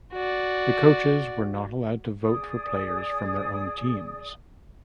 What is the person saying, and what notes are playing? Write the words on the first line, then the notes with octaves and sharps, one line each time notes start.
The coaches were not allowed to vote for players from their own teams.
F#4 D5
G#4 D5 D#6